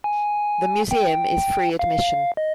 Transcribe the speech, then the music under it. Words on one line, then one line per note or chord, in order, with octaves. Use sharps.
The Museum is free admission.
G#5
G5
F5
D#5